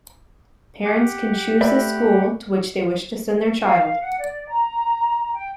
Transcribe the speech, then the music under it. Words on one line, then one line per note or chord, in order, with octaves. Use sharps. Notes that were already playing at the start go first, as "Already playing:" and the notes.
Parents can choose the school to which they wish to send their child.
G4 F#5
A3 B4 D5 E5
F5
F#5
D5
A#5
G5